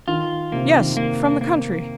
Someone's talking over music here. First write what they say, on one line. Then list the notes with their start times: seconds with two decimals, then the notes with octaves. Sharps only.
Yes--from the country.'
0.08 D#3 F4
0.52 C3 A#3
0.75 D#3
0.97 A#3
1.41 A#3